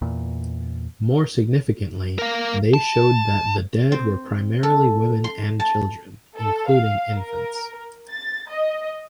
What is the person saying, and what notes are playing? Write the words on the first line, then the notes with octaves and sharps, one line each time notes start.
More significantly, they showed that the dead were primarily women and children, including infants.
E2 A#2
A#4 F5
A5
C4
A4
C6
A5
A4
F5
A#4
A6
D#5